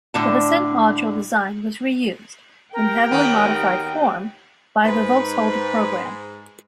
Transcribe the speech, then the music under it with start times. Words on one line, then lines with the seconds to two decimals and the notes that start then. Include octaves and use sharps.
The descent module design was reused, in heavily modified form, by the Voskhod program.
0.14 A2 D3 A5
2.73 G4 A#4 G5
3.11 D#2 B3 D#4
4.85 G#2 B4